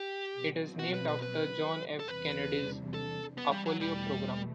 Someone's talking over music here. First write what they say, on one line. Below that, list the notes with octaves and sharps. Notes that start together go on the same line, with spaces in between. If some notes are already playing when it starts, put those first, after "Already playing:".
It is named after John F. Kennedy's Apollo program.
Already playing: G4
B2 F#3 C4
F#4
B4
B4
B4
A4
E2 C3 E3 G3 D4 B4
A4
B3
G3
F#3
E2 B2 G3 A3